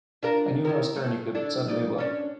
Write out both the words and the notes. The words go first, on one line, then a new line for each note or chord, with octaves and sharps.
I knew how stern he could suddenly look.
D4 F4 A#4
D#3 E4 A#4
A3
D4 E4 A4
D#4 D5
C#4 D4